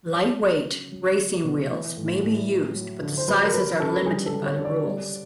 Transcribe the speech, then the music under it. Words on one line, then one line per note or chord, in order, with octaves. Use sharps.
Lightweight racing wheels may be used, but the sizes are limited by the rules.
F#3 C#5
F#3
C#3
F#3
F#3
B2
E3
A2
A2
F#3
F#3
D3
C5
F#3 B4
A#4
F#3 B4
C#3 A4
G3 G#4
A4
G3
C#5
D3
D5
G3